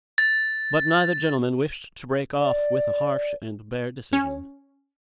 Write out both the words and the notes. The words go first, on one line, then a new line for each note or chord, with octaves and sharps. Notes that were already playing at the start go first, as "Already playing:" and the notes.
But neither gentleman wished to break off with a harsh and bare decision.
A6
D5
C#4